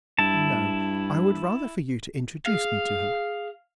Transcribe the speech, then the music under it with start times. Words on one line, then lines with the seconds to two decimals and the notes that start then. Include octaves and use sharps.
"No, I would rather for you to introduce me to her."
0.19 G2 E4 A5
2.46 G#4 F5